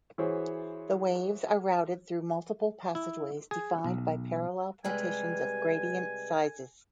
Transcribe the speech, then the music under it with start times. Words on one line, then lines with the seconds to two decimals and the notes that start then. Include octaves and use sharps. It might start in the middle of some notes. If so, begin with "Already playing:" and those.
The waves are routed through multiple passageways defined by parallel partitions of gradient sizes.
0.18 E3 E4 F#4 G#4 C5 C#5
2.95 E4
3.51 G#4
3.84 B1
4.85 C3 G3 G#3 B4 G#5